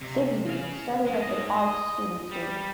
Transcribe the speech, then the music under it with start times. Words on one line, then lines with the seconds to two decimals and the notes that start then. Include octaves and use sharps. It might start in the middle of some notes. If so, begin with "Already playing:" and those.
Sigsbee studied at the Arts Students League.
0.01 C3
0.47 C#3 F5
1.06 F#2 G#3
1.22 G#2 D#5
1.59 D#5
2.32 G3